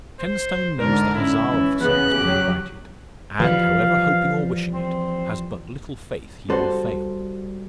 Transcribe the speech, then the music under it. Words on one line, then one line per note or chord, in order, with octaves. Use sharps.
Shenstone knows the Hussar officer has been invited; and, however hoping or wishing it, has but little faith he will fail.
C5
G#2 D3 A#4
C#4 E4
E3 C#4
C#3 E3 B3 G#4 F#6
F#3 G4
E3 F3 G3 F5
C4
G3 F#4 A4 C5